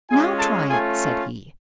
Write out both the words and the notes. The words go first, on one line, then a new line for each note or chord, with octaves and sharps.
"Now try it," said he.
G#3 C#4 F4 G#4 G#5
A4 A5
A3 C#4 F4 G#4 G#5